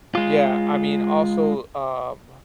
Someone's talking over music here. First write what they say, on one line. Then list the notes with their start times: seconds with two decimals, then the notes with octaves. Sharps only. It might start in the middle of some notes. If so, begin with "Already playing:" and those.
Yeah, I mean, also, um
0.15 G#3 F4